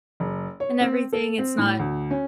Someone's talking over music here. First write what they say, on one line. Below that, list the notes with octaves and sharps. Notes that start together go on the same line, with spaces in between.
and everything, it's not,
F#1
C#5
C4
A4
C4
A2
D2
C#4